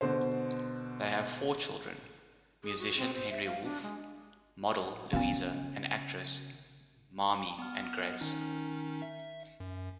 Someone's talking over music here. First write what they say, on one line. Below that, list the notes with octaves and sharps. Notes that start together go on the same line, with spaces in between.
They have four children: musician Henry Wolfe, model Louisa, and actresses Mamie and Grace.
B2 D3 C5
G#4
F#4
C4
C5
E5
F5
D4
G#3
C#3 B3 C#4 F5
B3 F6
D#3 C#4 D#4
E5
F#2